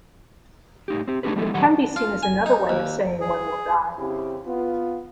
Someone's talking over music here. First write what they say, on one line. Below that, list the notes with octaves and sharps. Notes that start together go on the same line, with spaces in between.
It can be seen as another way of saying one will die.
A2 D#4 G4
C4 G4
A3 D4 D#4 G4 G#4 B4
F3 G3 G#3 B3 E4 A4
A#2 D#3 F#3 G3 F#5
F4
G#5
D#4
D#2
G#4
C#3 C4 E4 G4
B3 F4